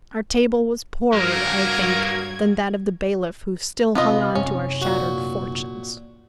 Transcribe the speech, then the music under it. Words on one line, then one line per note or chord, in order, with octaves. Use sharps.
Our table was poorer, I think, than that of the bailiff who still hung on to our shattered fortunes.
G2 F#3 A#3 F#4 A#4 G#6
C3 B3 C4 F4 D#5
F#2 C3 C#4
A#2 F#4